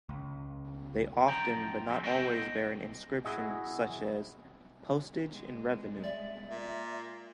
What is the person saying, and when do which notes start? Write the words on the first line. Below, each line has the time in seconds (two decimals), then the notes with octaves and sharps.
They often but not always bear an inscription such as "Postage and Revenue".
0.09 C#2
1.26 F#2 F3 G5 A#5
1.88 F3 G#3 C4
2.03 B3 F#4 A4 C5 D#5 G5
3.25 E4 F#4 G#4 D#5
5.31 G#3
6.04 D5 E5
6.50 A#2